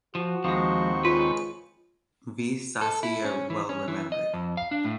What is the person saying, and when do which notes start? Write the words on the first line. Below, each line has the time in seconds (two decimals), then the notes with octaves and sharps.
V. Sasi are well remembered.
0.15 F3 F#4
0.44 D#2 F3 G#3 C4 C#6
1.05 C#3 F3 G#3 F4 B4
2.81 A4
3.03 E4
3.24 C#4
3.50 E3
3.69 C#4
3.88 E3
4.12 D#5
4.33 F2
4.57 F5
4.71 D4
4.85 A2